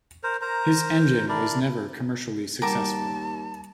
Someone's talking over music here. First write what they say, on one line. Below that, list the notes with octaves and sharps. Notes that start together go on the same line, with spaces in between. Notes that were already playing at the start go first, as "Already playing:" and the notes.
His engine was never commercially successful.
A#4 C5
A#4 C5 A#5
D4 E4 A#4 D5
D#2 G3 A#4 F#5 A5 D6